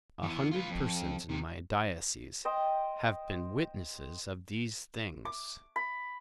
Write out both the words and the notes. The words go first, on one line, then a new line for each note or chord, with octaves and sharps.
A hundred persons in my diocese have been witnesses of these things.
E3 B3
F4 B4
F2
C3 D#3
C5 D#5 G5
D6
B5